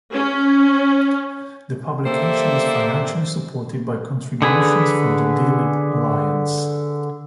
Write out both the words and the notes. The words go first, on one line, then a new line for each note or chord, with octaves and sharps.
The publication is financially supported by contributions from the D-Lib Alliance.
C#4
A#3 G4 A4 C5 D5 E5
D3 G#4 B4